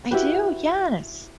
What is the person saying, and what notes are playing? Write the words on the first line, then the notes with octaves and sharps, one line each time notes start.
I do, yes,
E4 F#4 G4 B4